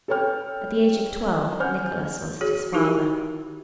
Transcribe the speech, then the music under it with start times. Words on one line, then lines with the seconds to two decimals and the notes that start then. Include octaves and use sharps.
At the age of twelve Nickolas lost his father.
0.08 A4 B4 C#5 G5 F6
1.59 C5 F#5 G#5 F6 G6
2.41 F#4 G#4 C#5
2.73 D#4 E4 F#4 G4 A#4